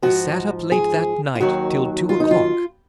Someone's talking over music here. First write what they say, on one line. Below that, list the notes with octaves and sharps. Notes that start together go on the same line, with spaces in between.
He sat up late that night, till two o'clock.
G#2 F3 F#4
G#4
F4
D#2 D#3 F#3 F#4
F4
D#4
F4